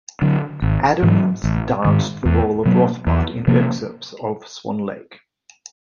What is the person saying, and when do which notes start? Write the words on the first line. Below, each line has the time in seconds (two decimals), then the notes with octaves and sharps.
Adams danced the role of Rothbart in excerpts of Swan Lake.
0.22 D3 F#3
0.62 G#1
1.03 G#2 E3 G#3
1.44 A1
1.85 G#2 D#3
2.25 E2
2.66 B2 F#3 A#3
3.07 E2
3.47 C3 F3 A#3